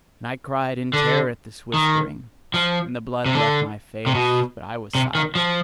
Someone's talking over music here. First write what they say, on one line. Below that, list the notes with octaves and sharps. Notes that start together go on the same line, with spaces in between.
And I cried in terror at this whispering, and the blood left my face: but I was silent.
D3
D#3
F3
C3
D3
C3
B2
C3
D#3
F3